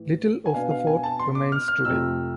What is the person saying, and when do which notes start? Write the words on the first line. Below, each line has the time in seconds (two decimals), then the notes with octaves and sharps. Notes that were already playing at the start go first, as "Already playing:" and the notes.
Little of the fort remains today.
Already playing: A2 E3
0.46 G#5
0.54 B2 B3 D4 F5
0.71 F5
0.87 G#5
1.03 A5
1.19 C6
1.35 D6
1.52 F6
1.68 F6
1.85 F2 C3 F3 A3 E6